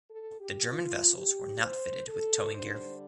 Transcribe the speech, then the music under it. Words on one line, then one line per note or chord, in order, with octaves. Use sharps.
The German vessels were not fitted with towing gear.
A4
G4
F4
G4
C5
A4
D3 G3 D4 C5